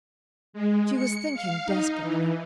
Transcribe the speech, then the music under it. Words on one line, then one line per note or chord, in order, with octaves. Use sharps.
She was thinking desperately.
G#3
C#7
F5
D#4
E3